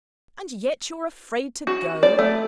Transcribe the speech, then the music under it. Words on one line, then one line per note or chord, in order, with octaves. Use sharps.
'And yet you're afraid to go!
F#4
D5
A3